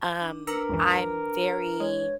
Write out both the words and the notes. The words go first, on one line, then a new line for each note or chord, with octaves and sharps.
Um, I'm very,
D4
D4 A#4 B4 A#5 E6 C#7
C#2 F#2 E3
G#3 C#5